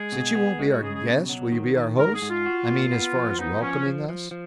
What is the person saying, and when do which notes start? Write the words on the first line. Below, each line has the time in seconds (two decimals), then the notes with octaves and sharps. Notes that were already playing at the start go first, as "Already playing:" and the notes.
Since you won't be our guest, will you be our host--I mean, as far as welcoming us?
Already playing: G#3 G#4
0.12 B2
0.35 B3
0.59 G#3 F#4
0.70 F#4
0.82 C#3 G#4
0.94 G#4
1.06 B2
1.29 F#3
1.52 D#3
1.76 D#3
1.98 G#2 A#4
2.14 G#4
2.22 G#2
2.29 F4
2.46 F#4
2.69 A#2
2.92 B3
3.15 F3
3.39 B3 D#4
3.61 F3 C#4
3.86 F3
4.09 F3
4.31 F3